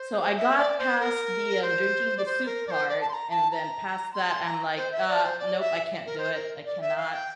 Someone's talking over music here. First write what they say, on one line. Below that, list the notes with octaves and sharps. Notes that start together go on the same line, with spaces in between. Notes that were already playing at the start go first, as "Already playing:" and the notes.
so, I got past the, um, drinking the soup part, and then past that I'm like, "Uh, nope. I can't do it. I cannot."
Already playing: C5
E5
D5
C5
A#4
C5
D5
C5
A#4
D5
C5
D5
A5
C6
A#5
A5
A#5
C6
C6
A#5
C5
E5
D5
C5
D5
E5
A#4
C5
A#4
D5
E5
F5
G5